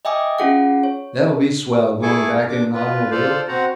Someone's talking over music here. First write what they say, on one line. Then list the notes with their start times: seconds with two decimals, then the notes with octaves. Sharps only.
That'll be swell, going back in an automobile.
0.05 D#5 E5 G5 G#5 D6 D#6
0.38 C#4 F4 G#4 F#5
0.83 C#5
2.02 E4 G#4 A4 G#5 C#6 D6
2.35 A#4
2.49 D4 D6
2.73 F4 B4
3.11 F4 A4 C5 D5 F5
3.48 C4 F#4 C5 F#5 A#5